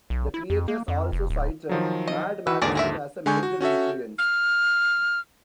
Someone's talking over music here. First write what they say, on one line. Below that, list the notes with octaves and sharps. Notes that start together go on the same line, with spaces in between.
The creators also cited "Mad" magazine as a major influence.
B1
E4
F2
A#3
F2
F1
D1
D#3 F3 F#3
D#5
E3 F#4 B4 E6
D#2 G#2 D3 G#4 A#4 D5
G#4 A#4 E5
D3 G#3 G#5 C#6 G6
F#4
C#4 F#4 A4 E5
F6